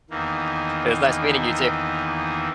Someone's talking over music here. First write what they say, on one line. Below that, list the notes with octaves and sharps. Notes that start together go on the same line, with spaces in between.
It was nice meeting you too.
E2 D#3 E3 A#3